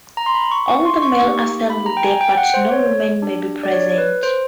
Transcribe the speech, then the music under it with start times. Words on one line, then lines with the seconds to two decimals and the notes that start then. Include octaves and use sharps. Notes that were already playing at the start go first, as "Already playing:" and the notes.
All the males assemble there but no woman may be present.
0.17 A#5
0.26 C6
0.35 B5
0.52 C#6
0.68 C#6
0.85 C6
1.02 C#6
1.19 A#3 D#4 G4 C#6
1.70 B5
1.86 A#5
1.97 G5
2.04 G#5
2.21 G5
2.37 F#5
2.54 C5
2.71 C#5
3.22 D4 G4
3.63 D5
3.72 C#5
3.98 B4
4.23 C5